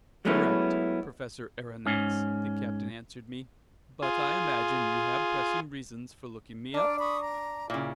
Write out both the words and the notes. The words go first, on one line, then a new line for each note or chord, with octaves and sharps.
"Correct, Professor Aronnax," the captain answered me. "But I imagine you have pressing reasons for looking me up?"
F#3 G#3 A3 B3 C#4 E4
G#2 C#4
F4 G#4
D4 D5 A#5 F6
B5 C#6 D#6
A#5
A#2 C#3 E4